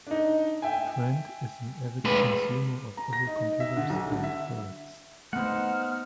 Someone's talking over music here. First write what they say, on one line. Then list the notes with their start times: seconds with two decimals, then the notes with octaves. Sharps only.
Brent is an avid consumer of Apple computers and products.
0.07 D4 D#4
0.62 E5 G5 G#5
2.05 G#3 B4
2.97 A#5
3.13 A#6
3.27 D#4
3.60 E5
3.77 D3
3.90 B1
4.11 D3
4.24 E5
5.33 A3 B3 D#4 C5 F#5 F6